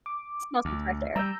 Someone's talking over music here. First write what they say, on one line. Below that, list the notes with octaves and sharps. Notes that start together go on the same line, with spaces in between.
Smell some fresh air.
D6
D2
G3 A#5 E6 G6